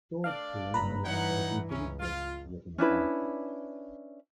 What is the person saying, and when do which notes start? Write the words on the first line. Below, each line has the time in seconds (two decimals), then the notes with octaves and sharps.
Storage pools allow for the grouping of disks within a file system.
0.24 A3 D4 D5 F5
0.74 F#1 G2 B4 A#5 B5
1.05 G2 E3 D#4 C#5 F#5
1.69 C#2 E3 C#4
2.00 F4
2.78 C#4 D4 E4 B4